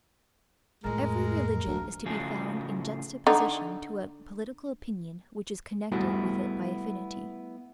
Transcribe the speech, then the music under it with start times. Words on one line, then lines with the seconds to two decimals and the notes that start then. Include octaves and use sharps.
Every religion is to be found in juxtaposition to a political opinion which is connected with it by affinity.
0.84 F2 A2 G#3 A#4
1.66 D2 F3
2.05 A2 C#3 F3 F#4 G#4
3.27 D3 D#4
5.92 G3 A3 B3 E4 F#4